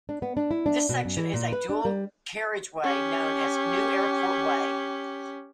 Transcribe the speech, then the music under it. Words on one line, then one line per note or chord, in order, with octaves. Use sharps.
This section is a dual carriageway known as "New Airport Way".
D4
B3
D4
E4
D4
B2
F#2
E3
A#2
B4
D4
G3
C#4 G4